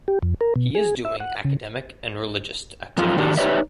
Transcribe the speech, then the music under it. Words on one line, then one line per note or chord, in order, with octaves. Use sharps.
He is doing academic and religious activities.
G4
F2
A#4
B2
G#4
E5
F#5
C#3
F#2 F3 F4
D#3 D4 F#4 G4
D#4 G4 B4 C#5 D5 E5